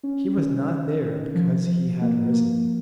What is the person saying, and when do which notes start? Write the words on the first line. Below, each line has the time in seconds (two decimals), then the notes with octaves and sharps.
He was not there because he had risen.
0.03 C#4
0.37 D#3
0.69 D#3
1.02 D#3
1.35 F3
1.67 F3
2.01 A#3
2.33 A#3